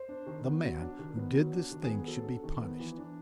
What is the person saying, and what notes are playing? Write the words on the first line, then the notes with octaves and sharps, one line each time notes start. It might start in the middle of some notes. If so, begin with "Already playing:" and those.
The man who did this thing should be punished.
Already playing: C5
D4
D#3
B3
F#3
D4
D#3
B3
F#3
D4
D#3
G#4
B3
F#3 A4
D4
D#3
B3
E3
D4